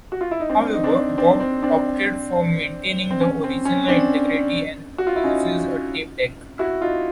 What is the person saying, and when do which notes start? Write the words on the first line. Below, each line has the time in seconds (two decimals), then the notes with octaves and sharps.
However, Bob opted for maintaining the original integrity, and uses a tape deck.
0.12 F#4
0.21 F4
0.31 E4
0.40 D#4
0.49 C4 D4
0.73 D#4
0.84 C4 D4
1.18 C4 D4
1.40 C4 D4
1.63 C4 D4
3.11 C4
3.21 C#4
3.44 C4
3.65 C#4
3.88 C4 D4
4.98 F#4
5.07 F4
5.16 E4
5.24 C#4 D#4
6.59 E4 F#4
6.82 D#4 F4